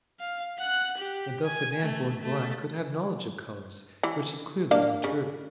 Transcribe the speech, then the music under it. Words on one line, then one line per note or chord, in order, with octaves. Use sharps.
And thus a man born blind could have knowledge of colors; which is clearly untrue.
F5
F#5 F#6
G4
G#5
A3
A3 A4
E3
A#3 D4 F5
C#3